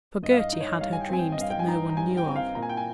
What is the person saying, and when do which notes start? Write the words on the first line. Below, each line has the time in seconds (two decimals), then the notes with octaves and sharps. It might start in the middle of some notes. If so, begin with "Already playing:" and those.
For Gerty had her dreams that no-one knew of.
0.23 G2 D#5
0.31 F5
0.37 D#5
0.53 D#4 D#5
0.61 C#5
0.67 D#5
0.81 G3 F5
0.93 G#5
1.00 G5
1.09 C4 G#5
1.19 G5
1.32 D#5
1.39 G2 F5
1.50 G5
1.59 G#5
1.68 D#4 A#5
1.90 A#5
1.97 G3 G#5
2.17 G5
2.26 C4
2.36 F5
2.55 A#2 A#5
2.62 G#5
2.69 G5
2.77 G#5